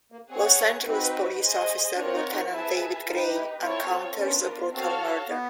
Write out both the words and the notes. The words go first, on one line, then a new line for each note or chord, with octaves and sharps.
Los Angeles police officer Lieutenant David Grey encounters a brutal murder.
A#3
C4 G#4 C#5 F#5
C4 D#4 F#4 B4
G#4 C5 D#5
C4 D4 F4 A#4 C#5 F#5
D#4
D#4
E4 G#4 B4 E5 A5
D#4 F4 G4 B4
E4
C4 E4 F4 A4 C#5
B3 C#4 D4 F4 A#4
C4 F#4 A4 C#5 F5 A5
B3